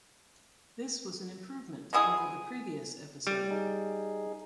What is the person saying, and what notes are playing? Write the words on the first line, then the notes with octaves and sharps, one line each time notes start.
This was an improvement over the previous episode.
G#3 B3 E4 G#4
G3 D5
D#4 G#4